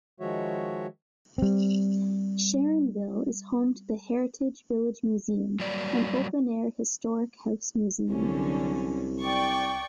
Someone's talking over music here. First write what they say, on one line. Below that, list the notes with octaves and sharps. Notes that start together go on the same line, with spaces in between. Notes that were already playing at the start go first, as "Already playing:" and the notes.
Sharonville is home to the Heritage Village Museum, an open-air historic house museum.
D#3 F3 G#3 F#4 C#5 E5
G3 C4
F#3 G3 A#3 D5
C2 D3 F#3 C#4
D5 G5 C#6